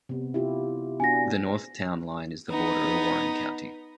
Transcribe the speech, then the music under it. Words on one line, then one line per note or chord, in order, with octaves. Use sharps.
The north town line is the border of Warren County.
C3 B3
E4 F4 G4
B3 D4 F#4 G#5 A#6
B3 D#4